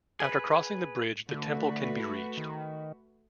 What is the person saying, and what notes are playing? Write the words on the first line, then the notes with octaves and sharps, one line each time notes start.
After crossing the bridge the temple can be reached.
G#4 B4
D3 A3 F#4 B4
D#3